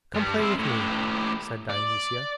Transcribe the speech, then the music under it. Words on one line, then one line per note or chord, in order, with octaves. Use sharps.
"Come play with me," said Dionysia.
G2 G3
C4 E4
A2 G4
D5